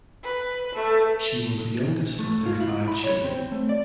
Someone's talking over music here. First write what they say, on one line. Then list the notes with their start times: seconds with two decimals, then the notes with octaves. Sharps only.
She was the youngest of their five children.
0.23 B4
0.74 A3
2.19 A3
2.46 F4
2.60 E4
2.88 B5
3.04 C#5
3.24 C4
3.52 A3
3.69 D5